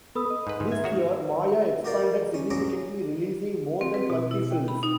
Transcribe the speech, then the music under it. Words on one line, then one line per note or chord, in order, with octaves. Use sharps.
This year, Maya expanded significantly releasing more than twenty films.
B3 A4 B4 B5 D#6 E6
D#5
G#2 B4
G#2
E5 G#6
D#3 F#4 C#5
F#4 G4 A#4 D5 F5
C#4
A#1 G2 F#3 C#4 A#5 D6
C4
B4
B2
E4
G5
B5
D#4